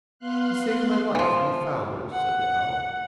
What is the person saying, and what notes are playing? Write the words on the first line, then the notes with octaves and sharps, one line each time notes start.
"You saved my life from the fowlers," said the owl.
B3 F5 C6 F#6
E3 F3
F#5